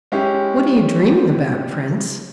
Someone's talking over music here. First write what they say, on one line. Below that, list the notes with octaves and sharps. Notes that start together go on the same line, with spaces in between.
'What are you dreaming about, Prince?'
G#3 C#4 E4 G4